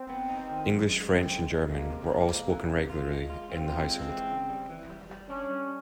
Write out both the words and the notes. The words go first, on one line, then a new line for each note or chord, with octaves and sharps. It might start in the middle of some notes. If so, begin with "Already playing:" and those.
English, French and German were all spoken regularly in the household.
Already playing: C4
B3
D#4
D#3
F#2
G#3
F#2 C4
G#3
G#3
G#3 A#3
C3
G#3
C3
E3
C3
F4
G#3
F4
C4 F4
F4
G#3
E3
C#3
G3
E3
G3
G3
C#4 D4
G3